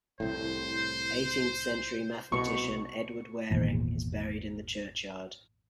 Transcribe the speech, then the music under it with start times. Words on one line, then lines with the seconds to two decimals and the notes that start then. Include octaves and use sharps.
Eighteenth-century mathematician Edward Waring is buried in the churchyard.
0.20 C2 A2 C5
2.32 C2 B2 C#6
3.51 G#1 E2 A#2